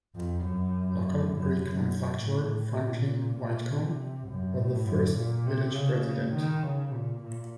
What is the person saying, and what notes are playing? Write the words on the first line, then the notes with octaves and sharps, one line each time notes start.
Local brick manufacturer Franklin Whitcomb was the first Village President.
F2
F#2
F#2
F#2
A2
A#2
A#2
C3
F#2
A2
F#2
A#2
C3
C#3
D#3
C#3
A#2
A#2